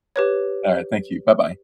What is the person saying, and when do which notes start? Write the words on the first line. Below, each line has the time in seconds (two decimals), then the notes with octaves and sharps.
All right. Thank you. Bye-bye.
0.16 G4 B4 C#5